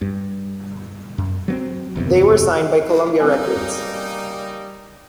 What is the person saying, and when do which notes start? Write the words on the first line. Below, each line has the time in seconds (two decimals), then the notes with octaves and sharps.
They were signed by Columbia Records.
0.01 G2
1.18 F#2
1.48 F#3 A#3 C4
1.96 F#1 E2 G2 C3
3.20 C#3 G3 A#3 C4 D#4 G#5